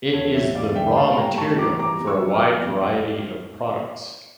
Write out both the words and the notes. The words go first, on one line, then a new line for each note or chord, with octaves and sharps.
It is the raw material for a wide variety of products.
E2 A4 C#5
G3 C#5 E5
E2 D5 F5
D3 E5 G5
A2 F5 A5
G3 G5 A#5
A2 A5 C#6
E3 A#5 D6
G2 A#5 D6
G2
C#6 E6
F3
D6 F6
F3
F2
G3